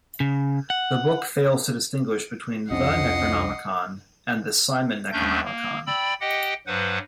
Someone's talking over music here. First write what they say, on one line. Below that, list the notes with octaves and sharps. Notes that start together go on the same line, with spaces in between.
The book fails to distinguish between the "Necronomicon" and the "Simon Necronomicon".
C#3
F#5
C2 F2 C#4 D4 D#5 F#5 C7
D#2 A3 C#4 D4 G6
A#3
D5 G5 B5 E6
G4 D#5 F#5 G5
G2 F#3 B4 C5 F#5